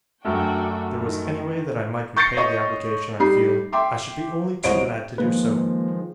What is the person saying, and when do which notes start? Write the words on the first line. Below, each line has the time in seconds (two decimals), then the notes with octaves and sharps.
If there was any way that I might repay the obligation I feel, I should be only too glad to do so.
0.25 F#2 A3 D4 F#4 G5
1.00 D#3
2.17 C#6 G6 A6 A#6 C7 C#7
2.37 C#5 D#5 C#6
3.20 G3 D#4 B5 C7
3.73 E5 G5 C6 D6
4.64 C2 C5 C#5 D#5 D7
5.18 D#3 F3 G#3 A#3 B4